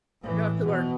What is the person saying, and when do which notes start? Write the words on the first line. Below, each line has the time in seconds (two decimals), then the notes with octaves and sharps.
You have to learn
0.21 A2 E3
0.63 B2